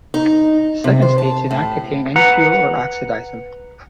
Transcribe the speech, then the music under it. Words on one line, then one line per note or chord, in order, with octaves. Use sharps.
The second stage did not contain any fuel or oxidizer.
D#4
C3
C5
A5
A2
B4 F#5 A#5